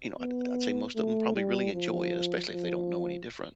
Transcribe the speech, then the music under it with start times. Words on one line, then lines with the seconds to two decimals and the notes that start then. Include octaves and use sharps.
you know, I'd I'd say most of 'em probably really enjoy it, especially if they don't know any different
0.19 B3
0.96 A3
1.35 G3
1.73 F3
2.51 F3